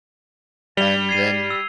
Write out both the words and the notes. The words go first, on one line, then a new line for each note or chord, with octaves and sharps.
and then
G3 F7 G7
G#6 C7 D#7
E6